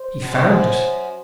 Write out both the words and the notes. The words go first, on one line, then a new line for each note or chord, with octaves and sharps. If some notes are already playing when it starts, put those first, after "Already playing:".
He found it.
Already playing: C5
F#2
G2
F#2